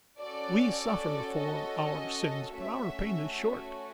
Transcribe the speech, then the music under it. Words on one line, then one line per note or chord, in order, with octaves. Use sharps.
'We suffer for our sins, but our pain is short.
C#4 F#4 A4 D5
D#5
A3 C#4 F#4 E5